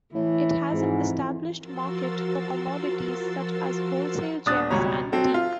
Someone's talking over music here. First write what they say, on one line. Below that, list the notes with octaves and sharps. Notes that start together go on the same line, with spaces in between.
It has an established market for commodities such as wholesale gems and teak.
A2 E3
F2 G#2
F3 F#4 A#4 C6 E6 A6
D#1 D4 D#6 F#6 A6
G#1 C#2 B2 G3 C#5 A#5
F#3 C4 A4
F4